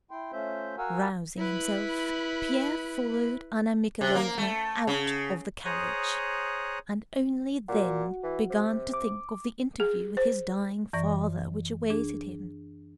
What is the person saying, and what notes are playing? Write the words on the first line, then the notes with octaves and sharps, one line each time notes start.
Rousing himself, Pierre followed Anna Mikhaylovna out of the carriage, and only then began to think of the interview with his dying father which awaited him.
E4 G5 C6
A3 C#4 F4 C5 E5 G6
F#4 A#4 F5 F#5 G#5 E6
E4 B4
C3
A#3
A3
C#3
G#4 C5 C#5 A#5 D#6 F#6
A#2 F#4 F#5
E3
C3
D6
G#4
C5
F#2 E3 D5 C#6 A#6
D4 G#4